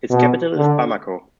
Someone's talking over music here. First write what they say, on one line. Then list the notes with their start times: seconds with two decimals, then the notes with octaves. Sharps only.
Its capital is Bamako.
0.10 B2
0.56 D3